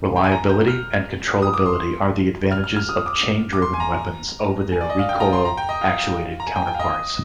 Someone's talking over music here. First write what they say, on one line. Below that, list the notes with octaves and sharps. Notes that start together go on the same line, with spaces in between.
Reliability and controllability are the advantages of chain-driven weapons over their recoil-actuated counterparts.
G5
G#5
A#5
G6
F6
D#6
D6
C6
F6
F6
F6
D#6
D6
D6
C6
G#5
A#5
G#5
D5
D#5
F5
G5
A#5
C6
A#5
G5
D#5
F5
A#5
G#5
G5
G5
F5
D#5